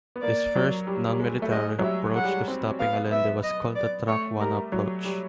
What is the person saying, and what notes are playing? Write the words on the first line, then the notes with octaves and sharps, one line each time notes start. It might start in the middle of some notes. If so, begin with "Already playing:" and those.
This first, nonmilitary, approach to stopping Allende was called the Track I approach.
B3
A#3 D5
F#3
G3
G3
G#3
A3
G#3 D#5
F#3
G3 E5
G#3 F#5
G3
G#3
C4
B3 F5
B3 E5
D#5
D5
A3 C#5
G3 A#4
F#3
G3